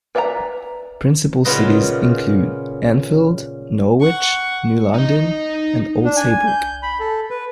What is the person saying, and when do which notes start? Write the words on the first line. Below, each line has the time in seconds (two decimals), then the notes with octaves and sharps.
Principal cities include: Enfield, Norwich, New London, and Old Saybrook.
0.15 B4 D5 E5 A5 A#5
1.45 A#2 C#3 B3 F4 B4 D#5
4.00 F#5 C#6
4.94 D#4 D#5
6.05 D4
6.16 G#5
6.47 G6
6.83 B5
7.00 A4
7.30 B4